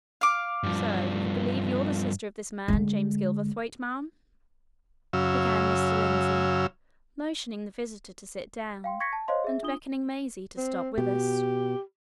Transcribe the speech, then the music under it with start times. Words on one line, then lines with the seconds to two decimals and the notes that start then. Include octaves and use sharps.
"So you believe you're the sister of this man James Gilverthwaite, ma'am?" began Mr. Lindsey, motioning the visitor to sit down, and beckoning Maisie to stop with us.
0.21 F5 D6
0.63 G2 F3
2.68 D3 G#3
5.13 F#2 C#3 F#3 F5 E6
8.84 F5 G5 C6
9.00 C#6 G#6 A#6 B6 C#7
9.13 A5
9.28 C5 C#5 D#5 F5 C6
9.44 G#4 E5
9.63 D4 F4 D#6 G7
10.57 C4
10.98 B2 G4